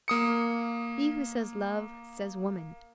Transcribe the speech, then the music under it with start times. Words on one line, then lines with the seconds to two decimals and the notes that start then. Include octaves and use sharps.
He who says love, says woman.
0.08 A#3 D#6 C#7